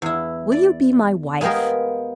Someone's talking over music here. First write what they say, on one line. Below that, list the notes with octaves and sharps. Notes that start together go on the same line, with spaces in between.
Will you be my wife?
E2 E4
D5
G#3 A#3 B3 G4 G#4 A#4